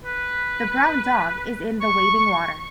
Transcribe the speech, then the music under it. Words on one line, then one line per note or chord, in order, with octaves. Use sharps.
The brown dog is in the waving water.
B4
C#6